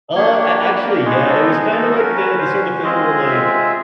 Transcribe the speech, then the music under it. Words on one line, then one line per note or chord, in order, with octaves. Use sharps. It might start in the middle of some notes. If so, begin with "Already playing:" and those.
Uh, a actually, yeah, it was kind of like the the sort of thing where like,
A#3 D4 G4 C#5
C#5
B4
A#4
G#3 B3 D#4 F#4 G#4
A4
G#4
A4
C#4 F#4 A#4
B4
C5
G#3 C4 F4 G#4 D#5
E5